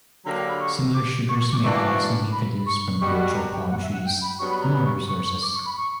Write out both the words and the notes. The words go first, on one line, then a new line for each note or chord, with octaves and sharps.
Similar sugars may also be produced from birch or palm trees, among other sources.
D3 F#3 A#3 D4 G4 A#5
G5
B5
C#6
D6
C#6
C#6
D6
F#2 E3 A#3 D4 C#6
D6
C#6
B5
C#6
B2 G3 B3 F#4 C#6
A#5
G5
F#5
E5
F#5
G5
B5
G2 F#3 B3 C#6
B5
A#5
B5
C#6
C#6
C#6
D6
C#6
B5
C#6